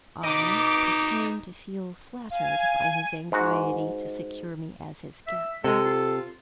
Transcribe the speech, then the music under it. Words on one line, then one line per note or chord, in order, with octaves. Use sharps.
I pretend to feel flattered by his anxiety to secure me as his guest.
D#4 B4 D#5 D6
F5 G#5
G#2 F#4
E5
C3 G#3 A4
F4